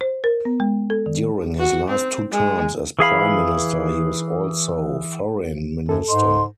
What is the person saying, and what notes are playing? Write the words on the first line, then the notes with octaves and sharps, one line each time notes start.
During his last two terms as prime minister, he was also foreign minister.
C5
A#4
B3
G#3
A4
D#3
F#4
C4
G#3
E3 G#4 F5 B5
F#2 A4
G#2 D#5 C6